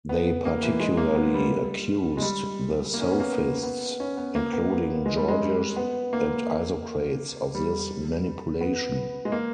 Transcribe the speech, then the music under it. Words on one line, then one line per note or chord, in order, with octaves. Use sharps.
They particularly accused the sophists, including Gorgias and Isocrates, of this manipulation.
B3
A#3
E3
G#3
A#3
B3
G3
G#3
G3
A#3
C#4
B3
A#3
B3
C#4
B3
A#3
B3
B3
G#3
G3
G#3
G3
B3
A#3
G3
B3
G#3
A#3